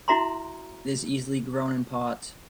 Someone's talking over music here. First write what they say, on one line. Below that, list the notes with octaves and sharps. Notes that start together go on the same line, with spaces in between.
It is easily grown in pots.
E4 F#4 E5 A#5 C6